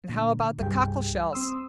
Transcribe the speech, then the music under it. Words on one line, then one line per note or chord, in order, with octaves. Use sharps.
"And how about the cockle-shells?"
A#2 D3
C2 G2 G3 G#4 G5
C4 C6 D#6 E6